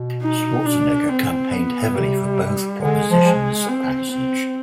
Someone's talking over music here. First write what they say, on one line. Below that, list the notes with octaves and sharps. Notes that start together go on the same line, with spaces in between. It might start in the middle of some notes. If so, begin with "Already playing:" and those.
Schwarzenegger campaigned heavily for both propositions' passage.
Already playing: B2
D#4
D4
C4
B3
C3 G3
D3 G#3
F3
G#3
C4
C4